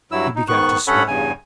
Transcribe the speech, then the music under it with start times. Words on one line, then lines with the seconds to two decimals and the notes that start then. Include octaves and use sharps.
He began to swear.
0.12 G2 F#3 E4 E6
0.36 D#4
0.48 G#2 D#3 B3 C#6 F#6
0.87 G2 C#4 A4 C#5 F#5 B5
1.08 E2 G2 C#3 G#5